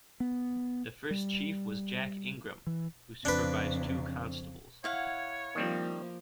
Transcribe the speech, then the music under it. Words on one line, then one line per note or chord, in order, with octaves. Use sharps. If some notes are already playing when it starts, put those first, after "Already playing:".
The first chief was Jack Ingram, who supervised two constables.
B3
G3
E3
F2 C#3 D4 B4
E4 C#5 F5 F#5
D#3 F3 G3 A#3 C4